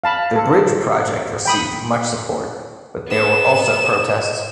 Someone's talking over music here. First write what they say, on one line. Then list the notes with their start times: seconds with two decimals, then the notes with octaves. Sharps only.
The bridge project received much support, but there were also protests.
0.04 F5 A5 B5
0.36 A4
1.45 G5 B5 D#6
3.07 B3 E7